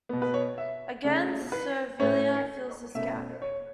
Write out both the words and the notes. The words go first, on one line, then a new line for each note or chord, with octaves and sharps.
Again, Servilia fills this gap.
B2 B3
B4
C#5
E5
C#3 A3 C#4
B4
A2 A3 C#4 C#5
B2 A3 C#4 E5
C#5